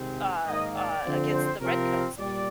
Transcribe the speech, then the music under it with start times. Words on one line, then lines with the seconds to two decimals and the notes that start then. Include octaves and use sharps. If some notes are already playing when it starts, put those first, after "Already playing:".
uh, uh, against the redcoats,
Already playing: C3 D#3 G#3 C4
0.46 G#2 D#3 A#3 D#5
0.75 D5
1.03 D3 F3 C4
1.33 C5
1.61 C3 F3 C4 A#4
2.19 A#2 G3 D5